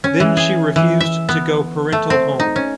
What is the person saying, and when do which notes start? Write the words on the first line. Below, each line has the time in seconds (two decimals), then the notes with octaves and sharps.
Then she refused to go parental home.
0.04 C#4
0.20 E3
0.37 G#4
0.76 E3
1.00 E5
1.29 B3
1.92 A3
2.10 C4
2.40 D#4
2.56 C#4